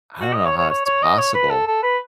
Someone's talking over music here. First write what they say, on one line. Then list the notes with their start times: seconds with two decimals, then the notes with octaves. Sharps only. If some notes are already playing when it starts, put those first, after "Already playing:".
I don't know how it's possible.
0.21 F#4
0.34 D#5
0.45 C#5
0.58 C#5
0.70 C#5
0.86 C#5
1.03 D#5
1.18 C#5
1.35 B4
1.50 A4
1.67 A4
1.83 B4